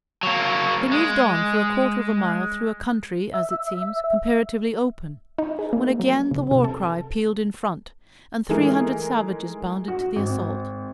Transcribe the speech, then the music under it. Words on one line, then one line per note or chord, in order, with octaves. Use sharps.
They moved on for a quarter of a mile through a country, as it seems, comparatively open, when again the war-cry pealed in front, and three hundred savages bounded to the assault.
F#3 A#3
G#3
E5
D#4
G#4
A#3
F#3
C#3
C3
A4
E3 G#3 A3 D#4 A#4
F#4
G#1